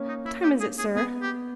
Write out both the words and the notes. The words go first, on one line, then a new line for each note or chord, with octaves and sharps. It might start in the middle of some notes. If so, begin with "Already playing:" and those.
"What time is it, sir?"
Already playing: A#3 C#4
D#4
E4
G4
G#4
G#4
B3 G#4
G4